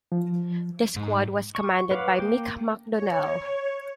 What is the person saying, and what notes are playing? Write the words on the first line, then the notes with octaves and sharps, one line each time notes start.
The Squad was commanded by Mick McDonnell.
F3
G#2
C#6
B4 C#5 F5 F#5 D6
A#3 G5 D6
C#5